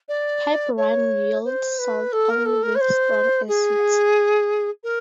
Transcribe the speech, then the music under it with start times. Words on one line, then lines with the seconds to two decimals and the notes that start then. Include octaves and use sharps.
Piperine yields salts only with strong acids.
0.08 D5
0.77 C#5
1.45 C5
1.78 B4
2.12 A4
2.30 A#4
2.45 A4
2.63 A#4
2.75 C#5
2.80 C5
3.48 G#4
4.83 A#4